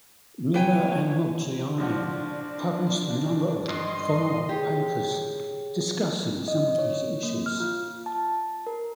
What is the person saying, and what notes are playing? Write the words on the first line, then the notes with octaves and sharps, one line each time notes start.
Miller and Modigliani published a number of follow-up papers discussing some of these issues.
B4 C#5 G5 G#5
C#2 F3 D4 F#4
G2 D#5 C6
G4 G#4 C#5
D#5
C#5
A#3
F6
F4
A5
A#4